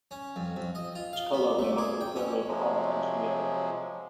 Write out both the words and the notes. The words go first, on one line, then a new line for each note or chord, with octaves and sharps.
Chkalov and got a diploma of pilot-engineer.
C#4
F2
F2
D#5
F4
F5
B3
A3
G#4
G5
C#4
C3 F3 F#3 G#3